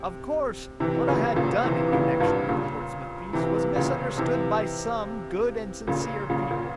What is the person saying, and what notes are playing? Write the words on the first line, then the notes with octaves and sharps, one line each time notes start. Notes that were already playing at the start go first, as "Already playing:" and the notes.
Of course what I had done in connection with the Portsmouth peace was misunderstood by some good and sincere people.
Already playing: C3
C3 E3
A#2 C#3
A#2 C#3
C3 E3
E3
A#2 C#3
G2 A#2
A#2 C#3
C3 E3
A#2 C#3
C3 E3
A#2 C#3
A#2 C#3
A#2